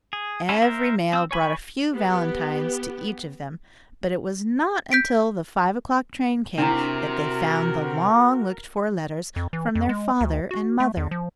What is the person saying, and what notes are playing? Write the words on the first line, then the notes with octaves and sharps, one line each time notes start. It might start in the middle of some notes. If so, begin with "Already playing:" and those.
Every mail brought a few valentines to each of them, but it was not until the five o'clock train came that they found the long-looked-for letters from their father and mother.
G#4
C#4 E4 F4 A4
A#4 C5 E5
C4 E6
C#5 G#5 B5 C#6
B3 G4
G6 B6 D7
C3 D4 E4 F#4 A#4
F2
E3
F2
G#3
D2
F#4
A3
E2
F3